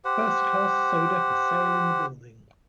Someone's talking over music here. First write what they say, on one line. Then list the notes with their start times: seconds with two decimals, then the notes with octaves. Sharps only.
First-Class Soda for sale in the Building.
0.05 G4 C5 F#5